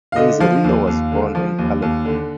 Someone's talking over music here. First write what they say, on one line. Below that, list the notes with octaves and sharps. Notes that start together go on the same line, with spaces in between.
Inzerillo was born in Palermo.
F5
D3 D#5
F3 F5
D#2
D#2
D3
F3
D#2
D#2
D3